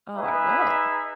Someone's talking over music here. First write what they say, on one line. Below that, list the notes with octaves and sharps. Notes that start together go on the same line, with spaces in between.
Oh, I will.
D#4 G#4 B4 E5